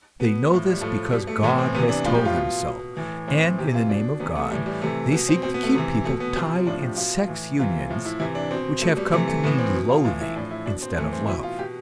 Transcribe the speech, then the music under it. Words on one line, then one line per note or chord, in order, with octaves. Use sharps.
They know this because God has told them so, and in the name of God they seek to keep people tied in sex unions which have come to mean loathing instead of love.
B2 B3
A2 F3
G3
A2 F3 A3
B2 G3
A3
A2 E3 B3
C4
C3 E3 B3
D4
A2 F3 F4
G4
F4
B2
B2
A2 E3
A2 E3 C4
C3 E3 G4
F4
B2 D4
C3 E3 B3
A3
A2 E3 G3
G3
C3 E3 A3
B2 B3
C4
B2 C4
B3
A3
C3 E3
B2 A3
B3
C3 F3 C4
A2 F3 D4
G4
B2 F4
A2 E3
C3 E3 F4
A2 F3
E4
C3 E3 E4
D4
B2 C4
B2 A3
G3
C3 E3 A3
A3
A2 E3 B3
C4
B2
F4
A2 E3 F4
E4
A2 F3 D4
E4
B2 D4
C4
A2 E3 A3
C4
B2 E4
F4
B2 G4